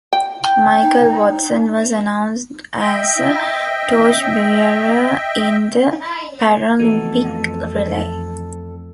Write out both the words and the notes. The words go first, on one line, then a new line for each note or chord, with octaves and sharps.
Michael Watson was announced as a torchbearer in the Paralympic relay.
G5
D#4
D#5 E5 G5
F2 E3 A3 B3 D#4 F#4 A4